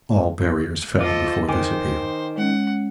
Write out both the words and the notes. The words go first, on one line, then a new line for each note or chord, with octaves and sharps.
All barriers fell, before this appeal.
F3 A4 D#5 D6
D#3 C5 G5 G#5 D6
G#3 C#4 F#5